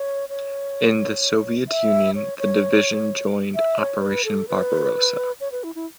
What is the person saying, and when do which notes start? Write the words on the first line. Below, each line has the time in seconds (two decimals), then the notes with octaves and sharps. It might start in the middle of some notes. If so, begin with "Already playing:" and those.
In the Soviet Union, the division joined Operation Barbarossa.
Already playing: C#5
0.29 C#5
1.68 E5
2.15 C#5
2.38 C#5
3.55 E5
3.78 C#5
4.01 B4
4.25 A4
4.48 B4
5.41 C#5
5.52 B4
5.64 E4
5.75 E4